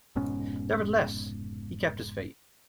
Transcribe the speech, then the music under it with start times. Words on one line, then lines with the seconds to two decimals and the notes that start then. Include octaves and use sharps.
Nevertheless, he kept his faith.
0.16 F1 G#2 B2 C#4